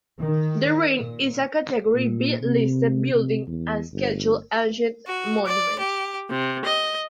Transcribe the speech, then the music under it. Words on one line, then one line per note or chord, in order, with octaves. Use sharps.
The ruin is a category B listed building and a Scheduled Ancient Monument.
D#3
A#2
A#2
C3
C3
E2
G1
F#4
D5
G4
C3
D#5